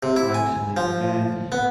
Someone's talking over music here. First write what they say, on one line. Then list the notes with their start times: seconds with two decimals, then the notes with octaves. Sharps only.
actually, and he
0.03 C3
0.16 E4
0.34 G#5
0.77 F3
1.52 B3